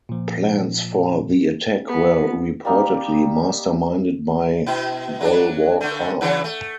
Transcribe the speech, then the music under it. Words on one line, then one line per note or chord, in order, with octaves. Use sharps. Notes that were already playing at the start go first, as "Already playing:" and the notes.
Plans for the attack were reportedly masterminded by Golwalkar.
A#2 F3
B3
G3 A#3 D#4
B2 E4
F#3 D4
D3 A3
C#3 E3 F#3
A3